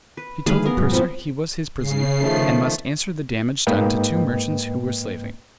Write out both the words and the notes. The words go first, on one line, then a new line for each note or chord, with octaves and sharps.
He told the purser he was his prisoner, and must answer the damage done to two merchants who were slaving.
B4
D3 D#3 A3 G#4 B4 F5
B3 A#4
F1 G#2 F#3
F3 B3 C4
C#3 C7
D#3 F3 A3
G#2 A#3 B4 D#5 G5